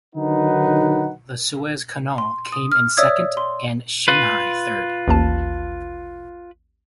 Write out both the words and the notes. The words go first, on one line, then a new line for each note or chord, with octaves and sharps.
The Suez Canal came in second and Shanghai third.
D3 D#3 F#3 D#4 B4 F#5
C6
D#6
F6
C#5 D5 E5 D#6 E6 G#6
C6
F4 B4
A1 D#2 A5